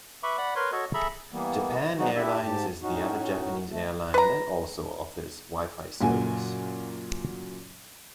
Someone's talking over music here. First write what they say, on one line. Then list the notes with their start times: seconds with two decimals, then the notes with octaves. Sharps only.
Japan Airlines is the other Japanese airline that also offers wi-fi service.
0.23 B4 E5 B5 C#6 D6
0.38 D5 F#5 B5
0.55 A#4 B4 C#5 C6
0.72 F#4 A4 C#5 D#5
0.94 G#4 A4 E5 A#5 B5 E6
1.32 E3 G3 A#3 B3
1.98 F3 F#3 G#3 D#4 F#4
2.15 D4 E4 G4 E5
2.41 G#2 G4 A5
2.82 A2 C#4 D#4 F#4
3.70 A3
4.14 B4 A#5
6.01 F#2 A#2 C#3 F#4 G#5